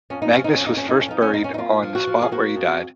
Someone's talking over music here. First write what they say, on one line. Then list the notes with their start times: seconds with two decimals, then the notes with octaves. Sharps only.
Magnus was first buried on the spot where he died.
0.10 F2 C#4
0.22 D#4
0.32 F3 C#4
0.44 D#4
0.55 F2 C#4
0.67 D#4
0.77 C#4
0.84 F2 D#4
1.00 C#4
1.08 F3 D#4
1.22 C#4
1.33 F2 D#4
1.44 C#4
1.54 D#4
1.58 A#3 F4
1.83 F3
1.95 F#4
2.07 F3
2.22 G#4
2.32 A#3 F#4
2.56 F2